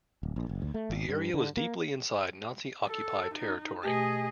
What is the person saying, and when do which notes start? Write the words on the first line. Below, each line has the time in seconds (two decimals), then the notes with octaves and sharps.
The area was deeply inside Nazi-occupied territory.
0.23 D1
0.36 A#1
0.49 F#1
0.62 D2
0.74 A3
0.90 G#1
1.09 G2
1.34 D3
1.57 A#3
2.87 A4
3.34 D#4
3.83 B2 A3 G4 G#4 D#5